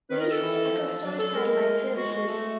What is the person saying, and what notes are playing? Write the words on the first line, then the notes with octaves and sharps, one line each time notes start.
Leased to Echostar Satellite Services.
D#3 B4
A#4
A4
E3
F3
F#3
A4
G#3 A#4
F#4
F#4
A3